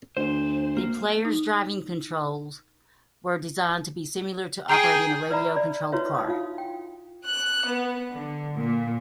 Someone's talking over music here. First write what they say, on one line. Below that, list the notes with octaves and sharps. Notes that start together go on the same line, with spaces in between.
The player's driving controls were designed to be similar to operating a radio-controlled car.
D2 C5
A#3
D#4
G#4 G5 A#5 C7 D#7
B4 D5 E5 A#5 B5
D5
E4 F#4 B4 C#5 E5
D#4 F5 D#6
F4 F5
G5
F#6
B3
D3
A#2